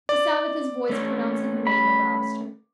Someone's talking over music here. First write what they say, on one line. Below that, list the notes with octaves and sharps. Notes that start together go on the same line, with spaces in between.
The sound of his voice pronouncing her name aroused her.
D5
A3 C#4
B5